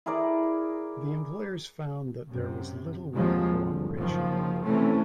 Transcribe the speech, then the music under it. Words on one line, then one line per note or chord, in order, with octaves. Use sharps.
The employers found that there was little worker co-operation.
E4 G#4 A#4 D5
F#2 C3
D#2 C3 F3 F#3 G#3
G1
F#1 D#3 F3
C3 E3 A3 C4 C#4